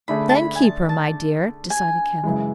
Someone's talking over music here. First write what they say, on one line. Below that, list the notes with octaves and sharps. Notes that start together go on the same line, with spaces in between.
"Then keep her, my dear," decided Kenneth.
D3 A3 D4 G#4 B5
A5
B5
G#5
A5
A5
G#5
F#2 C#3 E3 G#3